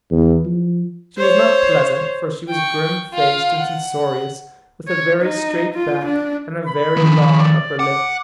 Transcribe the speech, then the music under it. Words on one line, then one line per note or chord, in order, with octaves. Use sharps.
She was not pleasant, for she was grim-faced and censorious, with a very straight back, and a very long upper lip.
E2
F3
C5 C#5
G5 C#6
F4 F5
F#5
C#5
D#4
F4
D4
B5
D#3 F3
D5
F#5 D6